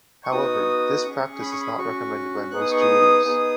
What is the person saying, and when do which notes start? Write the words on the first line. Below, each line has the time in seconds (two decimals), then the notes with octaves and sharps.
However, this practice is not recommended by most jewelers.
0.24 C#6
0.31 B3 D#4 F#4 D#6
1.04 C#4 G#4 C#6
1.41 B5
1.51 C#6
1.61 B5
1.78 C#4 F#4 C#6
2.50 B3 D#4 G#4 F#6
2.61 D#6
2.71 C#6
2.80 D#6
3.25 B3 D#4 G#4